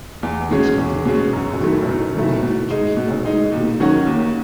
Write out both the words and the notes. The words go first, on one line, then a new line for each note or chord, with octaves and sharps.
Each individual has a private name which may not be revealed.
E2
B2 G#3 C#4
E2
B2 G#3 C#4
F#2
D#3 F#3 A3 E4
F#2
D#3 F#3 A3 E4
B2
G#3 D#4
B2
G#3 D#4
D#2
D#3 F#3 C#4 F#4
D#2